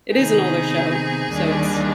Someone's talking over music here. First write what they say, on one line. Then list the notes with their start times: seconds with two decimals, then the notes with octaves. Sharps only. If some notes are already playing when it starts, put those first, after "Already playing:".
It is an older show, so it's
0.14 C3 D#3 B3 D#4 G#4
1.30 D#2 D#3 G3 D4